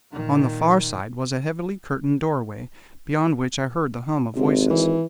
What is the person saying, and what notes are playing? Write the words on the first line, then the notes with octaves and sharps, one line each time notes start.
On the far side was a heavily curtained doorway beyond which I heard the hum of voices.
A#2 D#3
G#1 C3
E3